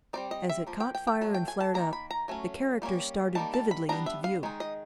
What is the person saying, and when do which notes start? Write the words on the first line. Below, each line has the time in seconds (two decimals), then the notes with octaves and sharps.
As it caught fire and flared up, the characters started vividly into view.
0.13 G3 C4 D#4 D5
0.31 D#5
0.49 E5
0.67 F3 A#3
0.80 G5
0.95 G5
1.07 G5
1.21 F#3 A3
1.34 G5
1.48 G#5
1.60 A5
1.74 D#3 F#3 A#3 A#5
1.93 B5
2.11 A#5
2.28 F#3 A3 C#4
2.82 G3 A#3 C#4
3.35 D#3 G3 A#3 A5
3.54 A5
3.71 B5
3.89 G3 B3 D4 A#5
4.06 E5
4.24 F5
4.43 D#3 G#3 D#4
4.60 D#5